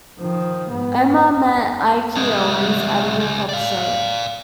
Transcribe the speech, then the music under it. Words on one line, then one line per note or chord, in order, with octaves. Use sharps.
Omar met Ikey Owens at a hip hop show.
D#3 F3
G#2 B3
C2 G#3
C#2
D5 F5